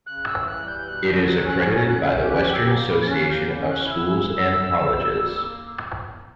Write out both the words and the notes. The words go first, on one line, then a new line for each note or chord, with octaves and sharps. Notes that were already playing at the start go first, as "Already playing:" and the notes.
It is accredited by the Western Association of Schools and Colleges.
C#3 F#6
E6
E3
F#6
G3
G6
B2 F#6
G6
F#3
F#6
C#4
F#6
F#3
F#6
C#4
G6
G4
F#6
F#3 E6 F#6
D6
A#3
B5
C#4
F#6
A#3 G6
C#4
F#6
E4
E6
C#3
F#3
B3
G3
A#3